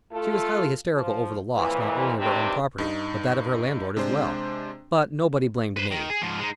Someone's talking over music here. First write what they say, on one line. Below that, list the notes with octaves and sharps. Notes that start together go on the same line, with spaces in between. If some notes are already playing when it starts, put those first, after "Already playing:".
She was highly hysterical over the loss not only of her own property but that of her landlord as well, but nobody blamed me.
A3 F4 A4
F3
F2 A#2 E3
G2 C3 D#3 C4 D4 G4
G2 D#4
C3 G#3 D4 C5
B4 C5
D#3
G#4
G#2 F3
G#3 D#4